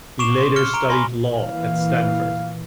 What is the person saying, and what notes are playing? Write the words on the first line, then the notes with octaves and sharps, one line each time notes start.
He later studied law at Stanford.
C#6 D6 C7 D7 E7 F7
C6
F6 C#7 G7
A#5 D7 G7
G#5 B5 C6 A#6 G7
A#2 E3 F5